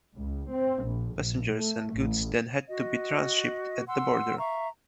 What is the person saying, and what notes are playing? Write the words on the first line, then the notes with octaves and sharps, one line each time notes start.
Passengers and goods then had to be transhipped at the border.
C#2
C4
A#1
A#1
A3
A1
F#4 D#5
F#5 C6 E6
E5 F5 A#5 C#6